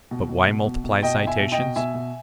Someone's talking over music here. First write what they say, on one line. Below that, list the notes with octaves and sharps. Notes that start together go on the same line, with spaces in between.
But why multiply citations?
B2
B2
B2
B2
B2
B2 D#5 G5
B2
E5 G#5
B2
D#5 G5
B2
B2 E5 G#5
B2